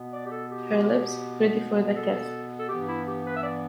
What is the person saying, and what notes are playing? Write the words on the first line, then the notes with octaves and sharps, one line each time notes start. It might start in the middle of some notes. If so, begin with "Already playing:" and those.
Her lips ready for the kiss!
Already playing: B2 B3
D5
G4
A4
G4
A4
A4
G2 E3 B3 G4
E4
G4
B4
E5
D5